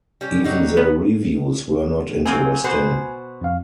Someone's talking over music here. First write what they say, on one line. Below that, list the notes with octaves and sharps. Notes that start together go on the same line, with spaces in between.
Even the reviews were not interesting.
G3 C#4
F#3 G3 D#4
B3
F#3 A#3 C4 G#5
B2 F#4 C5
F2 F5